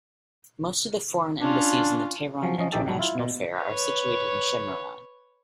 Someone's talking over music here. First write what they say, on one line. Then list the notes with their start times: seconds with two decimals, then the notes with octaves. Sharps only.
Most of the foreign embassies and the Tehran International Fair are situated in Shemiran.
1.41 C#4 D4 F4
2.42 F3 F#3 C#4
2.58 F3 C#4 D#5
2.72 A#1 E3 D#4 G4 A4 A5
2.86 G#2 F#3 G3
2.99 E4 F4
3.19 B2
3.61 B4 C#5